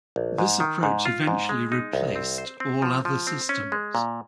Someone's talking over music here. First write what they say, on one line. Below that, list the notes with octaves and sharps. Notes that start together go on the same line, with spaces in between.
This approach eventually replaced all other systems.
A#1
G#2
D#3
G#2
F4
G#2
G#3
D#4
C2
C4
C5
C4
F3
F3
C4
C#4
G#3
A#2